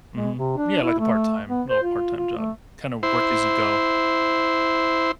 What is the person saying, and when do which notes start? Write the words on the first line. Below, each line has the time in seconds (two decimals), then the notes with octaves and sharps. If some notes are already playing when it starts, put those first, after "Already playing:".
Mhm, yeah, like a part-time little part-time job, kind of work as you go,
0.16 G#3
0.38 C3
0.57 D4
0.82 E4
0.99 A3
1.48 B3
1.69 C5
1.83 F4
2.16 F4
2.37 A3
3.03 E4 C5